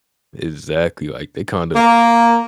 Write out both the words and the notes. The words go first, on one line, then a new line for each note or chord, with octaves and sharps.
Exactly, like, they kinda
A#3